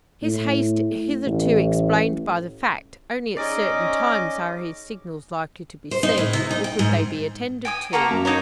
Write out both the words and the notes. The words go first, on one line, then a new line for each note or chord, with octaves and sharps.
His haste hitherto explained by the fact, only at certain times are his signals likely to be seen, or could they be attended to.
A2
A1
C#4 D#4 G#4 D5 D#5 D6
C5
D#4
A2
C3
D#4
G5
G#2
G5 G#5 D#6
A#3 G4 F#5 A5 A#5 C#6
F#2
D#4 A#4 C#5